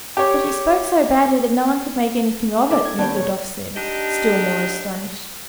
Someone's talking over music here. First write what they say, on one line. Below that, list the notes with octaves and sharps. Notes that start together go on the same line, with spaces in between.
"But he spoke so badly that no one could make anything of it," Nekhludoff said, still more astonished.
G4 C#5
D4 A4 E5 D6
G#6
D#2 B3 C#4 G5 A5
C2 F2 C#5
D4 D#4 G4